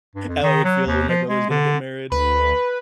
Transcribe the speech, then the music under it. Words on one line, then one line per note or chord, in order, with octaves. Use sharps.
how I would feel when my brother is gonna get married.
G2
F2
D#3
F#3
D#2
F3
G#3
D3
D2 B4 B5